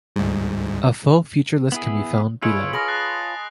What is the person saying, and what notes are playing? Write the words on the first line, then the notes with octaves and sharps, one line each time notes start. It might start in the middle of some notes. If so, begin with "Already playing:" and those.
A full feature list can be found below.
D2 G#2 G3
B3 E4 G#4
G#3 E4 F4 B4 C#5 D7
G#4 A#4 B5 D#6 A#6 F#7
A5 F#6 C7